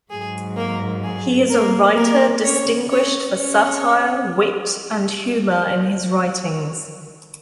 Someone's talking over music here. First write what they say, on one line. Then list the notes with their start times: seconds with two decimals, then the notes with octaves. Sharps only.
He is a writer distinguished for satire, wit and humour in his writings.
0.11 G#2 F#3 G#4
0.57 A#3 A#4
1.04 G#4
1.50 A#3 A#4
1.96 A#3 A#4
2.43 C#4 C#5
2.90 C#4 C#5
3.36 C#4 C#5